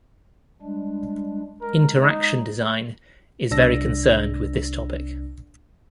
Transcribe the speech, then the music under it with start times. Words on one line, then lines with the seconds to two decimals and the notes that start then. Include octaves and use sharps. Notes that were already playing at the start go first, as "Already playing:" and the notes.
Interaction design is very concerned with this topic.
0.62 G3 G#3 D4
1.62 G#3 A#4
2.02 D#4
3.51 C2 D4 E6 A#6